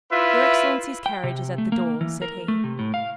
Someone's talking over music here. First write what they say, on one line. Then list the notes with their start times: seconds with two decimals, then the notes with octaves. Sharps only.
"Your excellency's carriage is at the door," said he.
0.12 E4 F4 B4 E5
1.06 G5
1.23 C3
1.58 A3
1.72 A#3
2.01 E3
2.22 A#4
2.48 A3
2.64 C3
2.79 A2
2.94 F5